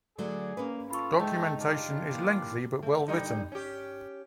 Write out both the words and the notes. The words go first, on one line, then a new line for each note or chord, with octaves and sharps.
Documentation is lengthy but well written.
D3 F#3 A3 G#4 D5
A#3 C#4 B4
F4 A4 B5 C#6
G#3 A3 D#4 G5 A5
D4 F4 G4
E3 A#3
A3
D3 G3 D#4
C#4 G4